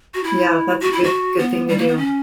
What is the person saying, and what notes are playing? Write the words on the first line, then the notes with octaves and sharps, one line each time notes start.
Yeah, that's a good good thing to do.
F#4
E4
F#4
E4
F#4
B3
G3
A#3
B3
C#4